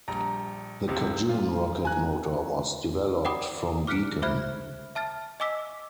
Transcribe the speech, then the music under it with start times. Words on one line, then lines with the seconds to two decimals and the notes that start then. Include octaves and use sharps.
The Cajun rocket motor was developed from Deacon.
0.08 A#1 G3 A#5
0.88 C#2 C3
1.29 F4
1.85 G#5 A#5 F#6
3.25 D5 F#5 G5 B5 D6 D#6
3.87 D6 F6 F#6 B6 C#7 D7
4.22 C5 E5 B5 F6 F#6 G#6
4.95 E5 A5 F6 A6
5.40 D#5 G#5 D6 E6 B6